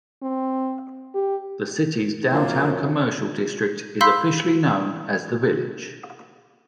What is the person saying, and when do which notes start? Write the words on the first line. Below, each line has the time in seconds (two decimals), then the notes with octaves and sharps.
The city's downtown commercial district is officially known as "The Village".
0.22 C4
1.14 G4
2.32 F#2 E3 F3 A#3 C4
4.01 F5 B5 C6 E6 G6 B6